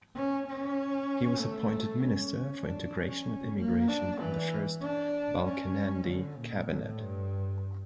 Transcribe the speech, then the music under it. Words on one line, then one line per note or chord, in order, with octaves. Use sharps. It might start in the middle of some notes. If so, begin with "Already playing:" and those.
He was appointed Minister for Integration and Immigration in the first Balkenende cabinet.
C#4
C#4
A3
C#4
D4
C#4
A#3
D4
E3
D4
C#4
D3
A#2
A2
G2